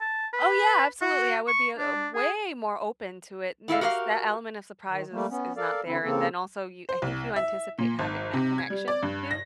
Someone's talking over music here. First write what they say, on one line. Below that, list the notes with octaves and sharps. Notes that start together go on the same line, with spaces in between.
Oh, yeah, absolutely, I would be a a way more open to it, there's that element of surprise is is not there, and then also, yo I think you anticipate having that connection, too,
A5
B4
F#4
C#6
D4
G#4
A2 E4 A4 F5
F#4 G4 A#4 D#5 F5
D#3
G3 A3 A#3
B3 C#4
A4 A#4 D5 F5
D3 C4 E4
C#3 A#3 C4 A4
C5
C2
E5
A#2
G#1
C3
G#6
G3
D5
G2
A#6